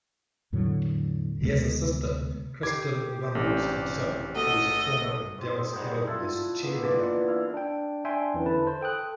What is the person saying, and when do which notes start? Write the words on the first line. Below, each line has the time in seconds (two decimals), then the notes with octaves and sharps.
He has a sister, Kristin Runnels Ditto, who is a former Dallas Cowboys Cheerleader.
0.52 E2 A2 D3 F#3
1.41 D2 C3 G#3 B3
2.63 G4 D6 G#6 C7
3.35 A1 C3 D4
4.36 A3 F#4 A4 D#5
5.38 G#2 C4
5.72 G3 D#4 G#4 F#5
6.07 E4 F4 A4
6.62 A#3 B3
6.82 D3 E3 F4 D5
7.28 E4 F5
7.54 D4 G5
8.05 D4 E5 G5 G#5 C6
8.34 E2 E3 C#4
8.46 D3 E4 B4 A5
8.67 C5
8.81 A4 G5 D#6 F#6